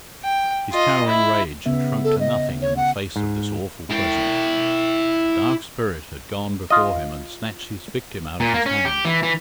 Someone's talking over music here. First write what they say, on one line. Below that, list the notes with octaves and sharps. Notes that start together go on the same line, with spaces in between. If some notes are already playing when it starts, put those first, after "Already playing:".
His towering rage had shrunk to nothing in the face of this awful presence. The Dark Spirit had gone before him and snatched his victim out of his hands.
G5
F4 D#5
E4
C#3 B3 E5
A4
D#5
C#5
F#5
G#2
E4 G5
F4 D#5
A#2
A#3
C#4
G4
E3
E3